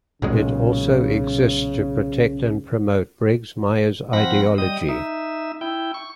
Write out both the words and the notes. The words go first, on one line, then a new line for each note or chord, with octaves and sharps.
It also exists to protect and promote Briggs Myers' ideology.
B1 A#2 C#3 G#3
F3 C4 F#5 B5 A#6
G3 D#5 D#6
D#4 E5
E4 G5
C#6